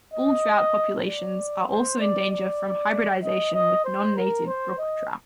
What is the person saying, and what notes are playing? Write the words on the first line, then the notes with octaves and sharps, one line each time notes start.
Bull trout populations are also in danger from hybridization with non-native brook trout.
D#5
D5
C5
D5
D5
D#5
D#5
C5
A#4
C5
D#5